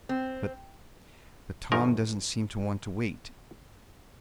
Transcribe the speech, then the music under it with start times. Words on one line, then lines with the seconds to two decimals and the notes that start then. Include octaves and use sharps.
But--but Tom doesn't seem to want to wait.
0.09 C4
1.72 G1 F#2 D#3 F3 A#4